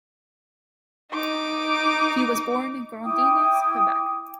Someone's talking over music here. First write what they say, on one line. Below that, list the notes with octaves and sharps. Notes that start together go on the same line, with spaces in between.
He was born in Grondines, Quebec.
D#4 D6
E4 G5 D6 D#6